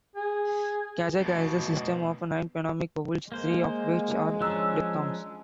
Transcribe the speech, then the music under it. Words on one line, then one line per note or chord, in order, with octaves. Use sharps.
Kazakh has a system of nine phonemic vowels, three of which are diphthongs.
G#4
F#2 B2
G#3 A#3 C5
F3 C#4 D4 A#5 E6 F#6